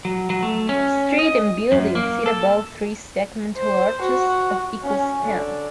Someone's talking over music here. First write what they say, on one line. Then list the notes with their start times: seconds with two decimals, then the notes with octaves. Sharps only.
The street and buildings sit above three segmental arches of equal span.
0.05 F#3
0.30 F#3
0.43 A3
0.69 C#4
1.19 D#5
1.72 F#2
1.95 A#3
2.26 A4
3.58 C5
4.02 F#4
4.83 C#4
5.22 D3